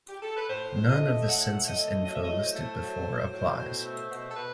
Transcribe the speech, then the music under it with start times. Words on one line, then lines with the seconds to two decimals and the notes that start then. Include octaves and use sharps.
None of the census info listed before applies.
0.09 G4
0.22 A4
0.37 B4
0.49 A2 C5
0.76 A2
0.89 D#5
1.02 A3
1.21 E5
1.27 A2 F#5
1.53 A3
1.67 D#5
1.79 A3
2.04 F#3 D#5
2.14 E5
2.23 D#5
2.30 A2
2.43 C5
2.56 A3
2.82 F#3
3.08 F#3
3.33 A2
3.59 B2
3.85 A3
4.11 B2
4.31 A4
4.36 B2 B4